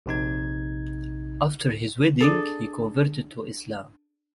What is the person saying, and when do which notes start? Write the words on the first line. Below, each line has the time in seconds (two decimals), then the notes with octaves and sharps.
After his wedding, he converted to Islam.
0.06 A#1 C3 D#4 G#6
2.21 D4 G#4 A4